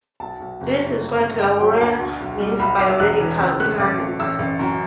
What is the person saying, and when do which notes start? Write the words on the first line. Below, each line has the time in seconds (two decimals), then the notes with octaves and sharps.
This is what Laruelle means by "radical immanence".
0.20 B1 A5
0.40 B1
0.61 F#1
0.80 F#1
1.00 G1
1.20 A3
1.40 G1 G5
1.59 F#3 G5
1.80 D2 A5
1.99 D2
2.20 B1
2.40 G3
2.59 B1 B5
2.80 B1 D6
2.90 E6
3.00 E1 F#6
3.20 E3
3.39 C#2 E6
3.60 A3 F#6
3.79 A1 D6
4.00 A3
4.19 A1 E6
4.39 A1
4.59 F#2